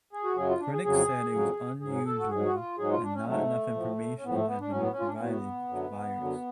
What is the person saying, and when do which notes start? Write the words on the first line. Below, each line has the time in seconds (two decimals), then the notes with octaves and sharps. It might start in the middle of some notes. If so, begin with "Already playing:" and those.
Critics said this was unusual and not enough information had been provided to buyers.
0.13 G#4
0.24 F#4
0.36 F#2 C#3 F#3 G#4
0.49 F4
0.60 D4
0.73 G#4
0.84 F2 C#3 F#3 G#4
1.33 F2 C#3 F#3
1.81 G#2 F#3 G#4
2.05 A4
2.20 F#4
2.30 G#2 F#3 G#4
2.45 F#4
2.54 F4
2.78 G#2 F#3 G#4
2.91 F4
3.03 D4
3.14 C#4
3.26 G#2 F#3 A3
3.75 A2 F3
4.17 C#4
4.23 A2 F3 B3
4.35 A3
4.47 B3
4.60 D4
4.70 A2 F#3 C#4
4.80 B3
4.92 C#4
5.00 F4
5.06 D4
5.14 C#4
5.20 A2 F#3 B3
5.69 F#2 D3 F#3
6.17 F#2 D3 F#3